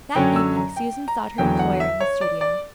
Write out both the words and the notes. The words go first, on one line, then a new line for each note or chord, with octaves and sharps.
That evening Susan sought her employer in the studio.
F#2 D3 F#3 C#4 G5
E6
A#5
G5
A#5
E2 D3 F#3 G5
F#5
E5
C#5
D5
D5